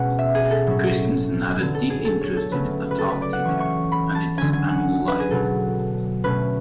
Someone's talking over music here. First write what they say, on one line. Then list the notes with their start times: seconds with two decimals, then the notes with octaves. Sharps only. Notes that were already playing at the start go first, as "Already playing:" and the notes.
Christensen had a deep interest in Antarctica and its animal life.
Already playing: B2 G#3 C#4 F#5
0.19 E5
0.35 G#4
0.51 A4
0.66 A2 F#3 C#4
1.59 D3 F#3 B3
1.74 A4
1.90 G#4
2.05 A4
2.21 C#5
2.36 A4
2.51 C#3 F#3 A3 C#4 B4
2.91 B4
2.98 A4
3.10 B4
3.22 D5
3.33 F#5
3.45 E3 A3 C#4 C#6
3.60 C#6
3.92 B5
4.15 A5
4.38 D3 F#3 C#4 G#5
4.53 G#5
4.69 F#5
5.08 B4
5.20 G#4
5.31 B2 F#3 B3 A4
6.24 B2 A3 C#4 B4